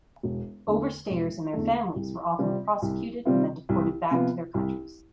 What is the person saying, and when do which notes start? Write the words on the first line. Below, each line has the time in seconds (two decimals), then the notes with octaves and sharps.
Overstayers and their families were often prosecuted and then deported back to their countries.
0.23 E1
0.67 E2 D3 A3
1.10 E1
1.53 E2 D3 A3
1.96 C2
2.39 C3 G3 C4 F4
2.82 C2
3.25 C3 G3 C4 F4
3.69 C2
4.11 C3 F3 B3 F4
4.54 C2